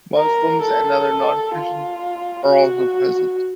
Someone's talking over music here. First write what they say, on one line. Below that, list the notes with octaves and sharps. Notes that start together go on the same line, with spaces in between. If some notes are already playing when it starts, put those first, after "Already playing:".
Muslims and other Non-Christians are also present.
A#4
A4
F4
F#4